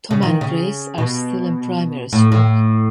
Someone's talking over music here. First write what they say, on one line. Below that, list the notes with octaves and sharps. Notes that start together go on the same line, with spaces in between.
Tom and Grace are still in primary school.
C#3
D#3
C#3
B2
A2
A2